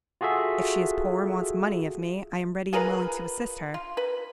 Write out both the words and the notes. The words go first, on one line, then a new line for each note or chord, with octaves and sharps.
If she is poor and wants money of me, I am ready and willing to assist her.
F4 F#4 G#4 A4 E5
F4 G#4 A#4 B4
F4
B4